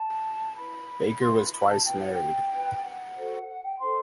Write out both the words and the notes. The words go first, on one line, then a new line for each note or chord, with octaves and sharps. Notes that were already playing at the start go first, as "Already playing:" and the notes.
Baker was twice married.
Already playing: A5
E4 B4 B5
E4 B4 C6
B5
B5
A5
E4 B4 G5
F#5
G5
D#4 G4 B4
F#5
F#4 A4 C5
F#5
G5
D#4 A4 C5 C6